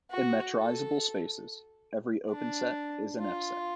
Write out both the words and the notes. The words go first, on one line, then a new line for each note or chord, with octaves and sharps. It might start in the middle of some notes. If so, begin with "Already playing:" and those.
In metrizable spaces, every open set is an F set.
F#4
A4
D4
F4